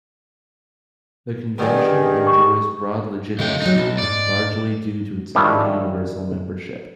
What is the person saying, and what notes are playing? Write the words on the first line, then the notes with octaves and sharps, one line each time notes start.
The convention enjoys broad legitimacy, largely due to its nearly universal membership.
G2 D#3 A#3 G4 G#4 D5
C#6
C#3 G#3 A3 C#4 G5
F#3 G#3 D#4
B1 D#4 E4
D#2 G#2 D5
D#3 F3 G3 C#4 D4 E4